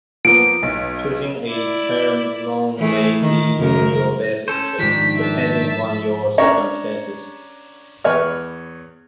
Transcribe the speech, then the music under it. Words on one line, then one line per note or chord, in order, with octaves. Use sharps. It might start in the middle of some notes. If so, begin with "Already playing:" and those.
Choosing a term loan may be in your best interest, depending on your circumstances.
F3 A#3 B3 D7
B1
E4 D5
E3 A3 G#4
D#3
F#2 C#3 A#4
C#4 A4 C5
G#2 D#3 F3 D4 G4 B6
E5 A5
C#4 D4 C#5 A#5 C#6
E2 B4 C#5 F6